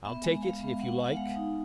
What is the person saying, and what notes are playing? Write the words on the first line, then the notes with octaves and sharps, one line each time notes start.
"I'll take it, if you like."
B3 E5
G#3
G#3 F5
B3
B3 F#5
G#3 F#5
F5
G#3
D#4